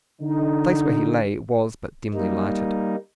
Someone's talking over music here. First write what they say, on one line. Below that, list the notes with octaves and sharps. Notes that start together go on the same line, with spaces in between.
The place where he lay was but dimly lighted.
D3 D#4
G3 A#3 D#4